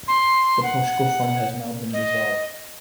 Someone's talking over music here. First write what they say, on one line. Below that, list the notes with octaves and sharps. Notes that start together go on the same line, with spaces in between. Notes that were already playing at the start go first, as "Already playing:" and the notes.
The Portugal Fund has now been dissolved.
C6
F#5
D#5